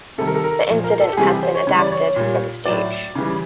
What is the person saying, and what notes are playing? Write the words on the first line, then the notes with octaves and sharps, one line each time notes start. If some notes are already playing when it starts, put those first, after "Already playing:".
The incident has been adapted for the stage.
C3 D#3 G3 A4
A#4
A4
A#4
A#2 F3
A#4
A4
G4
C3 E3 G3 G#4
G4
C5
C#5
C#3 E3 G3 C#5
D5
C#5
A#2 G3
A2 F#3 D5
C#3 E3 G3